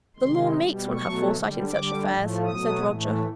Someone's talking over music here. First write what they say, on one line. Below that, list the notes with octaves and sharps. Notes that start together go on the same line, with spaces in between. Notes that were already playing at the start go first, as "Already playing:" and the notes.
"The law makes one have foresight in such affairs," said Roger.
C3 D#3 G#3 C6
B2 G3
B2 F#3 A3 C#6
D3 G3
D3 G3 D6
A2 F3 A3
B2 F#3 A3 D#6
A2 E3 A3